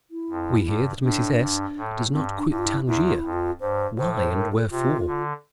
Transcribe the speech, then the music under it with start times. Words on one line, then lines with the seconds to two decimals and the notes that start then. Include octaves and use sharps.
We hear that Mrs. S. does not quit Tangier: why and wherefore?
0.11 E4
0.30 F2
0.66 G2
1.03 A2 D4
1.40 G2
1.77 A2
2.13 G2 C4
2.38 D4
2.51 G2 E4
2.58 F4
2.65 E4
2.87 E2 E4
3.05 F4
3.19 E4
3.24 F2
3.33 F4
3.61 G2 C5
3.97 A2 C5
4.16 C5
4.35 A#4
4.53 A4
4.71 C3 F4
5.07 D3